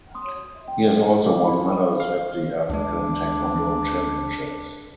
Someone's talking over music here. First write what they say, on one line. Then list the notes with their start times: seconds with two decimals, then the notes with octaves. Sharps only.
He has also won medals at the African Taekwondo Championships.
0.15 C6 D#6
0.68 G5
1.27 D6
1.44 E4 B5
2.00 F5
2.70 D2 G#3 D4